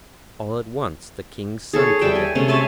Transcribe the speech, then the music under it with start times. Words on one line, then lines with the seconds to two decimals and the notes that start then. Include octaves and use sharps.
All at once the King's son came in.
1.73 G#4 A4 C#5
2.01 G3 A4 E5 G5
2.15 G#5
2.35 C3 G#3 A3 C#4
2.48 C#5 E5 G#5 A5